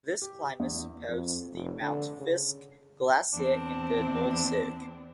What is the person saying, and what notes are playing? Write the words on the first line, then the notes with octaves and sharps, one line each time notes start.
This climate supports the Mount Fiske Glacier in the north cirque.
G4
E2
F2
F1
D3
C#3
E2 C4 D4